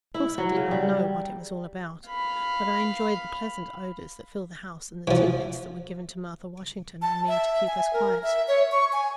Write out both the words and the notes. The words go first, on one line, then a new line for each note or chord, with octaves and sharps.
Of course I did not know what it was all about, but I enjoyed the pleasant odours that filled the house and the tidbits that were given to Martha Washington and me to keep us quiet.
E4
F#3
C#3
G3
F5 B5
E3 F3
A5
E5
G#5
A#4
E5
C#5
C#6
G#5